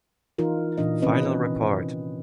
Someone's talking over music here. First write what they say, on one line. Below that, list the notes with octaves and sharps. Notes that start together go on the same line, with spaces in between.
Final report.
E3 D#4 F4 A#4
A#2 E3 D4 D#5
C3 D#3 C4 C#4 B4 D#5